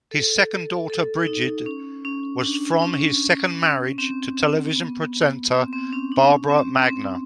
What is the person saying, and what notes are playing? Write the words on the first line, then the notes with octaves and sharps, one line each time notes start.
His second daughter Brigid was from his second marriage to television presenter, Barbara Magner.
A4
A4
D#4
C#4
C#4
D4
C#4
C4
C4
B3
C4
C4
C#4
D4
C#4
C4
C4